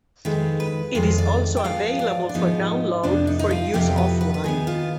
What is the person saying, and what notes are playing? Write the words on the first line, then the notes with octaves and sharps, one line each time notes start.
It is also available for download for use off-line.
F2 D#3 G#3 B4
B4
F2 D#3 G#3 C5
D5
G5
G#2 F3 B3 F5
D5
D4
G#2 F3 B3 D#4
F2 C3 F3 B3 D4
D#4
D#4
F4
F2 C3 F3 B3 G4
B4
B4
B4
D#2 D#3 B3 G#4
F4